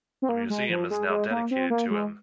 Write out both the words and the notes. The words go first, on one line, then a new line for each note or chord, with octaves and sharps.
A museum is now dedicated to him.
C4
A#3
G#3
F3
G#3
G#3
A#3
C4
A#3
G#3